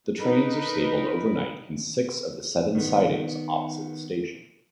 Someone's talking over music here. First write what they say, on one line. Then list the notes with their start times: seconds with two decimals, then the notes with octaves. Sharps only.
The trains are stabled overnight in six of the seven sidings opposite the station.
0.20 D#4 A#4 B4
2.75 D#3 B3